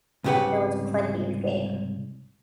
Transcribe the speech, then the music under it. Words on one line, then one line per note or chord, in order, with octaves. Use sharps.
There was plenty of game.
C2 G#2 C#3 G4 B4 F#5